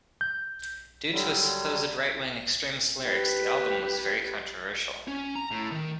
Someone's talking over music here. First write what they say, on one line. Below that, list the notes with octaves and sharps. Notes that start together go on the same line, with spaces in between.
Due to supposed right-wing extremist lyrics, the album was very controversial.
G6
D3 F#3 G3
G4 B4
C#4
A#5
A2
D#3